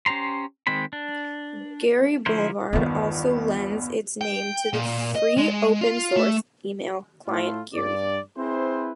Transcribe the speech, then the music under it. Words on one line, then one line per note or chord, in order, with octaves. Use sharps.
Geary Boulevard also lends its name to the free open source email client Geary.
C#4 G4 C5 A#5 C6
D#3 G#3 C4 C5 B5
D4
D3 F3 E4 A#4 C5
G1 E2 D#3 B3
G5
A#2
D#5
G#3
F4
A3
A2 A3 E4 F4
G2 D5
C4 E4 G#4 B4 C5